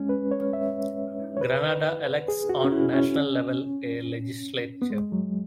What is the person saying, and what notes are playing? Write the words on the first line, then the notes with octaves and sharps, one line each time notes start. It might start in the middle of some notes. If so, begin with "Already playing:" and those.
Grenada elects on national level a legislature.
Already playing: G#3 C#4
B4
C#5
E5
C#5
B4
G#4
F#4
C#4
E4
C#4
B3
G#3
F#3